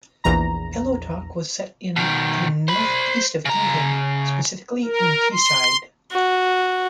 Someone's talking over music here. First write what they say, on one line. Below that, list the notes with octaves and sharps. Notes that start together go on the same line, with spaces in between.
"Pillow Talk" was set in the North East of England, specifically in Teesside.
A#1 E2 A#5
B2 D#3
C5 B5
C#3 A#5
A#4
C6
F#4